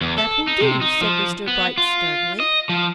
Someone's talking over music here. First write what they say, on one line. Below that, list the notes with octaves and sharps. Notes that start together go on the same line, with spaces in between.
"That will do," said Mr. Bright sternly.
E2
A4
D#4
C3
D#4
F3
B3
F4
D#5
F3